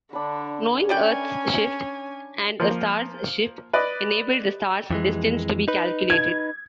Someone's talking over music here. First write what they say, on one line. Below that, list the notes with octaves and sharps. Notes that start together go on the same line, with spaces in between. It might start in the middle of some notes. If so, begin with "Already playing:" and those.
Knowing Earth's shift and a star's shift enabled the star's distance to be calculated.
D3 D4 B5
G3 C#4 D5 G5 G#5
F3 A#3
B4 D5 D#5
F2 E3 G#3
D#4 B4
G#6